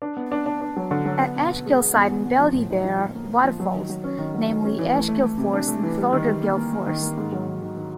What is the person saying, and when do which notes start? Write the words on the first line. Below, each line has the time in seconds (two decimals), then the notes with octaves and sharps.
At Ashgillside and Beldy there are waterfalls namely Ashgill Force and Thortergill Force.
0.02 D4
0.17 B3
0.32 D4
0.46 D4
0.61 D4
0.77 F#3
0.91 D3
1.06 F#3
1.20 B3
1.36 B2
1.51 B3
1.66 G#3
1.81 B3
1.95 E2
2.11 E2
2.25 B2
2.40 F3
2.55 A2
2.70 D#4
2.85 F3
2.99 F3
3.15 A#3
3.30 A#3
3.44 F3
3.60 F#3
3.74 D#3
3.90 F#3
4.04 C#4
4.18 D#3
4.34 F#3
4.49 D#3
4.64 C#4
4.79 E3
4.93 A3
5.08 A3
5.23 A3
5.38 C3
5.53 D4
5.68 A3
5.83 E3
5.98 G3
6.13 D#3
6.27 G3
6.43 A#3
6.58 A#3
6.73 A#3
6.87 D#3
7.03 A#3
7.17 G#2
7.33 F#3
7.47 D#3
7.62 D#3
7.76 D#3